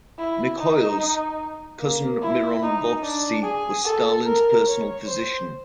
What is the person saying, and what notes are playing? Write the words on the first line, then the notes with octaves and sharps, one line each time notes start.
Mikhoels' cousin Miron Vovsi was Stalin's personal physician.
E4
D#4
A#3
E4
D#4
D4
G#4
A4
A#4
C#5
C5